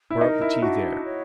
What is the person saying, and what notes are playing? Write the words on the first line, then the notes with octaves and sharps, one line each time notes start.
Pour out the tea there.
E4
D#4 A#4
E4
D4 F#4
C#5